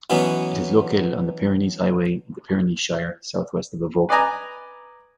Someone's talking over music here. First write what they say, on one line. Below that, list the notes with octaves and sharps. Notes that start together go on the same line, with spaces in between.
It is located on the Pyrenees Highway in the Pyrenees Shire, south-west of Avoca.
B2 E3 F#3 B3 C#4
B4 D5 D#5 G#5 A#5